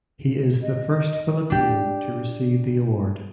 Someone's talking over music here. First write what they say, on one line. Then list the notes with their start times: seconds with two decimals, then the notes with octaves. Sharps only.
He is the first Filipino to receive the award.
0.62 D#5
1.50 D4 G4